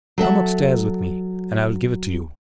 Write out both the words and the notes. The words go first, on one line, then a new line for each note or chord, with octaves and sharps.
"Come up-stairs with me, and I will give it to you."
F#3 A4 E5 F#5